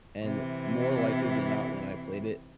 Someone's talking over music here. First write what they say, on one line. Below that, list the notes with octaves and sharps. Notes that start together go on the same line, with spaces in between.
and more likely than not when I played it,
C3 E3